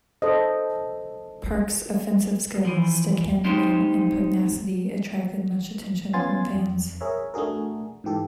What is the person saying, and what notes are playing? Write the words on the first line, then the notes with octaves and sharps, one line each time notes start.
Park's offensive skill, stickhandling and pugnacity attracted much attention from fans.
A4 C5 D#5
E3 F3
G#3 C4 D#4 G4 C5
B3 C#4 F4 G#5 C6 A6
F2
G#4 A#4 C#5 E5
A3 D4 F#4 G#4 A#4
G#2 E3 G4 A4